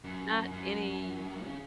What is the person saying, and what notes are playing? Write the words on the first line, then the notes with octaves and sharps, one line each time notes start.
not any,
F#2
F#2
C#3